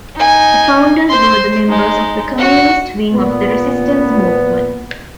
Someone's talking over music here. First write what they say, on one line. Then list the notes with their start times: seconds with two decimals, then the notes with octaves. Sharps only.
The founders were the members of the communist wing of the resistance movement.
0.16 D#4 G#5
1.08 C5 C6
1.69 G#3 D#4
2.38 F#4 F#5
3.14 A#2 B3